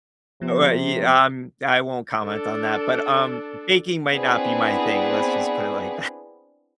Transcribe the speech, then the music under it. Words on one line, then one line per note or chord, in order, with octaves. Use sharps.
uh, wa ye um, I won't comment on that, but, um, baking might not be my thing, let's just put it like
C3 F3 B3
D4 A4
B3 C4 D4 E4 G#4 B4